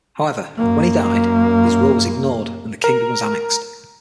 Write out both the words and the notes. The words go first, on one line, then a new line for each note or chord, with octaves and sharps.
However, when he died, his will was ignored, and the kingdom was annexed.
F#2 A#3
A#4